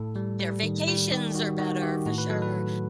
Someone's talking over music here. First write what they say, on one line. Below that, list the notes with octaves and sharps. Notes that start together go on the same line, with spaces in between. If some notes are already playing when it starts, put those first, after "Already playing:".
their vacations are better for sure.
Already playing: A2 A4
G3
G3
D#3
G3
D#3 G4
D#3 F#4
D#3 F#4
D#3 G4
A2 F#4
B4
F#3 A4
B4
A3